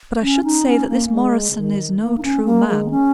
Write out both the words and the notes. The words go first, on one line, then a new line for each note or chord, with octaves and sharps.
But I should say that this Morison is no true man.
C#4
D#4
C#4
A#3
G#3
C#3
D#3
A#3
D#4
C#4
A#3
G#3
C#4